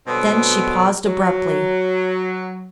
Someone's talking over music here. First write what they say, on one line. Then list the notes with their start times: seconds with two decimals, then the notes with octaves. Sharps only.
Then she paused abruptly.
0.07 G2 B2 D3 F#3 B3 C4
1.05 F#3